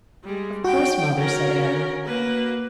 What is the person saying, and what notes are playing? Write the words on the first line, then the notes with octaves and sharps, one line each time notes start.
"Of course, Mother," said Adam.
G3 G#3
F#4 G5
C#4 A#4
A#3 B4